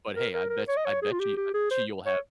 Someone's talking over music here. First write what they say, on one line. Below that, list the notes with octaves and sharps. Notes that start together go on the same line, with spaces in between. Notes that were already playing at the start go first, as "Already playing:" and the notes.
But hey, I bet I bet you I bet you you'll have
A#4
A#4
A#4
C#5
D#5
C#5
G#4
F4
G4
G4
G#4
C5
C#5